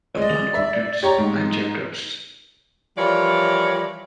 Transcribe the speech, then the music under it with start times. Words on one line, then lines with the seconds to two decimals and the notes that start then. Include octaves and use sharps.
The Plan contains nine chapters.
0.17 G#3 D5 D#5
0.55 E5
1.03 G4 C#5 A#5
1.18 G#2 D#4
2.98 E3 F3 G3 A#4 C#5 D5